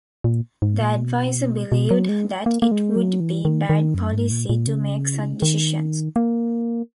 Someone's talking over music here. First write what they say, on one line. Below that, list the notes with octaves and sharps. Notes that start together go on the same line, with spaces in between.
The adviser believed that it would be "bad policy" to make such decisions.
A#2
G#2
A#2
B2
B2
F#3
G#3
A#3
A#3
G#3
F#3
E3
D#3
D#3
F#2
G#2
A#2
A#2
C#3
D#3
A#3